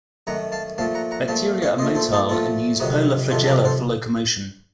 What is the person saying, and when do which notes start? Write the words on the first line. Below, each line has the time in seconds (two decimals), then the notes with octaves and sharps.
Bacteria are motile, and use polar flagella for locomotion.
0.27 F#2 D#3 A3 F#5 A#5
0.52 F5 A5
0.78 A#2 F3 A3 F5 A5
0.94 F#5 A#5
1.11 F#5 A#5
1.28 A#2 F3 A3 F5 A5
1.62 C#5 F5
1.78 A#2 F3 A3 C5 D#5
1.95 A4 C5
2.13 A4 C5
2.29 A#2 F3 A3 F4 A4
2.80 F2 C3 D#3 F#3 D#4 F#4
3.30 F2 C3 D#3 F#3 F4 A4
3.44 A4
3.47 F#4 A#4
3.65 A4 C5